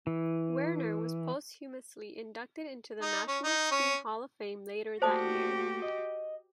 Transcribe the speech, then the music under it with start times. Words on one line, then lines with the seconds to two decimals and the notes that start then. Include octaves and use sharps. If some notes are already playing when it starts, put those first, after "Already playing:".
Werner was posthumously inducted into the National Ski Hall of Fame later that year.
0.07 E3
3.02 D#4
3.28 C#4
3.44 D#4
3.71 C#4
5.02 A3 A#3 F#4 G4 C5 D5 A5 D#6
5.82 D#5